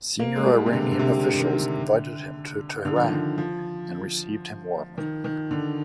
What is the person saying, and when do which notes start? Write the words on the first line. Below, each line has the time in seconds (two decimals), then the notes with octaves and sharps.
Senior Iranian officials invited him to Tehran and received him warmly.
0.20 A#3
0.36 G#3
0.46 G3
0.66 C3
0.73 D3
0.92 D3
0.99 C3
1.19 D3
1.34 D3
1.39 D#3
1.59 D3
2.85 D3
2.96 F3
3.04 D#3
3.12 D3
3.38 F3
4.98 D#3
5.24 D#3
5.51 D3